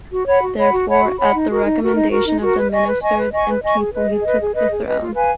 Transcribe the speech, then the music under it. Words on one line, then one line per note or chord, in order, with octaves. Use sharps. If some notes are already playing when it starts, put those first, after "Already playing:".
Therefore, at the recommendation of the ministers and people, he took the throne.
F#4
C#5 F#5 B5
F#4
C#5 F#5 B5
F#4
C#5 F#5 B5
F#4
C#5 F#5 B5
D#4
F#4 A#4
D#4
F#4 A#4
D#4
F#4 A#4
D#4
F#4 A#4
B4
D#5 G#5 C#6
B4
D#5 G#5 C#6
B4
D#5 G#5 C#6
B4
D#5 G#5 C#6
G#4
B4 D#5
G#4
B4 D#5
G#4
B4 D#5
G#4
B4 D#5
F4
B4 F5 G#5